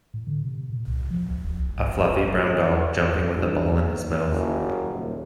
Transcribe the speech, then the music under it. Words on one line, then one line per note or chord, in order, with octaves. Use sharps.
A fluffy brown dog jumping with a ball in his mouth.
A2
D3
C3
A#2
C2
F3
D2
E1
C2
C2
F#1
G2
D#2
F#1
D#1